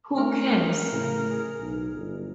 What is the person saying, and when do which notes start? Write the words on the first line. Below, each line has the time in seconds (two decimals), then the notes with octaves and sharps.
Who cares!
0.18 A3 E4 A#4
0.56 G#4
0.91 A2 C#3 E4
1.30 G#4
1.60 B1
1.94 G1